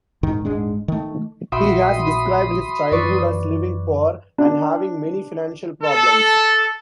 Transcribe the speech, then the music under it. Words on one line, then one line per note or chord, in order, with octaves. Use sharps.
He has described his childhood as living poor and having many financial problems.
D#1 G#2 D#3
D#1 G#2 G#3 D4
D#3 A3
A#1 F#4 E5 G5 B5 C6 D#6
F#2 D#3 E3 B4 D5 C#6
D4
A4